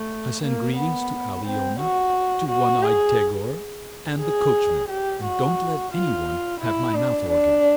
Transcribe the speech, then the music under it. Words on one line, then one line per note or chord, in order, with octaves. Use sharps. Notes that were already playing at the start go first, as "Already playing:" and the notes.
I send greetings to Aliona, to one-eyed Tegor, and the coachman, and don't let any one have my mouth-organ.
Already playing: A3
A#3
B3
C4
F#4
F#4
G#4
G#4
G4
F#4
F4
E4
D4
D4